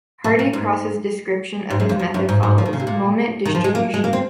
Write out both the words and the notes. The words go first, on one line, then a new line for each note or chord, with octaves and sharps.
Hardy Cross's description of his method follows: Moment Distribution.
A#2
A#2
G#2
G#2
F#2
F2
F2
F#2
G#2
G#2
F3
D#3
C#3
C3
A#2
D#3
F3
G#3
A#3
G#3
A#3
C4